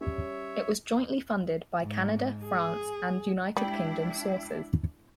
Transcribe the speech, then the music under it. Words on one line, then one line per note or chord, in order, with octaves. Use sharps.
It was jointly funded by Canada, France, and United Kingdom sources.
G3 C#4 C#5 E5
G#2
G#4
G3 G#3 D4 E4 G5 F#7